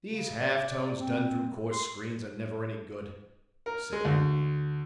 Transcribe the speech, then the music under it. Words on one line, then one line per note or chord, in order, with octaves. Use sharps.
"These half-tones done through coarse screens are never any good," said he.
C#3
D5
C4
C6
A#4
G#3
D2